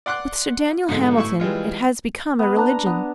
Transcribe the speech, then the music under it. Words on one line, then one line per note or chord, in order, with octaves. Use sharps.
With Sir Daniel Hamilton it has become a religion.
D5 F#5 C6 D6 F#6
G#2 B2 D3 F#3 G#3
A2 E4 E5 C#6
E3 G3 G#3 F4
B3 B4
D4 A#5
B3